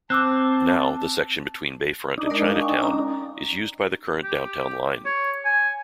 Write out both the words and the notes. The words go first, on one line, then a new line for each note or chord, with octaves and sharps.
Now, the section between Bayfront and Chinatown is used by the current Downtown Line.
C4 A5 D6 E6 F#6
D4 D#4
G#3 A#4 D5
D5 F5
G5 G#5 C#6
C#4 A#5
G4
C#5
G#5